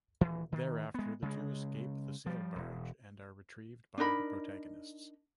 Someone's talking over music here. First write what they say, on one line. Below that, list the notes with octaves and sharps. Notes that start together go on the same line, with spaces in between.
Thereafter the two escape the sail barge and are retrieved by the protagonists.
D#1 E3
D#3
G#3 B3
C#3 G#3
F3 G3
E1
D4 D#4 A#4 B5